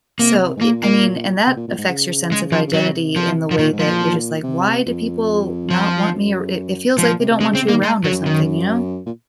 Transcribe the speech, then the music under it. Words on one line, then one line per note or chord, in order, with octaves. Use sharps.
So i I mean and that affects your sense of identity in the way that you're just like, "Why do people not want me?" or it it feels like they don't want you around or something, you know?
C3 A#3
G#2
A#2 A#3
A#3
C3
A#2
A#2
G#2
C#3
G#3
F3
C#3
C3 F#3
F3
F3
A#2 D#3
G#2
F3
A#2
C3
F2
F3
F#2
G#2 F3
A#2
C3
C3
C3 G#3
C#3 C4
C3
A#3
D#3
G#3
F#3
F#2
D#3
A#2